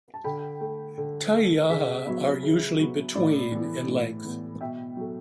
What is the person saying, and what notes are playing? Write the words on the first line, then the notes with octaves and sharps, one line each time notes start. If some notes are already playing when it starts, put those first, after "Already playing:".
Taiaha are usually between in length.
A5
D3 G5 B5
A3
D3
A3
C#3 E5
F#3 B3
C#3
F#3 B3
A2 D5
E3 B3
A2
E3 B3
B2 E5 G5
F#3 A3